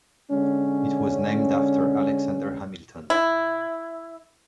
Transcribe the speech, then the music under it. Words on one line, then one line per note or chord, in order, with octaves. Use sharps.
It was named after Alexander Hamilton.
D3 G#3 C#4
E4